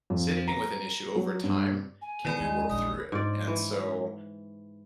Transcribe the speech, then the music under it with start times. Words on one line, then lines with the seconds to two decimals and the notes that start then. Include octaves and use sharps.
sitting with an issue over time can we work through it. And so,
0.10 F2
0.48 A#5
1.15 F#3
1.43 G2
2.02 G#5
2.25 D#3 E3 B3 E4 D5 B5
2.40 D#2 G#3
2.69 D#1 A#1 D4 D#6
3.12 G#2 D5
3.47 E3